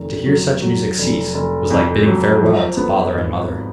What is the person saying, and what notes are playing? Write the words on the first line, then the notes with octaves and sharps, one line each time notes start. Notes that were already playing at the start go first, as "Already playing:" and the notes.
To hear such music cease was like bidding farewell to father and mother.
Already playing: F1 D#3
F#3
F#3
F1
F1
F2
F#3
F3
B3
G#1